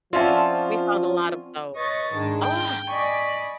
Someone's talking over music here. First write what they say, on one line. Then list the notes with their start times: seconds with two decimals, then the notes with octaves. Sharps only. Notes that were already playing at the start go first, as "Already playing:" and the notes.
We found a lot of those. Ah!
0.13 F3 C4 C#4 F4 D5 E5 F#5 A5
1.75 B4 C#5 D#5 C#6 A6
2.13 G#2 D#3 G#3 D4
2.43 G5
2.89 D5 D#5 G#5 B5 C#6 D6